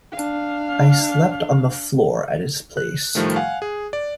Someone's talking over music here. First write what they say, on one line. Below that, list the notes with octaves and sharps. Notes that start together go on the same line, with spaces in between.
I slept on the floor at his place.
D4 F5
F#6
A2 D#3 F3 G3 A3
F5 F#5 G#5
G#4
D5